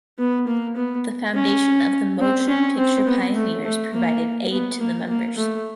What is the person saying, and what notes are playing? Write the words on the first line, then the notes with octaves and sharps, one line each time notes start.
The Foundation of the Motion Picture Pioneers provided aid to the members.
B3
A#3
B3
C#4
C4
C#4
C4
B3
A3
A3
A#3
B3
A#3
A#3
A3